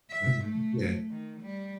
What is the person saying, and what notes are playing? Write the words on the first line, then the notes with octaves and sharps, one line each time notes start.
Mhm. Yeah.
E5
A3
D#3
G3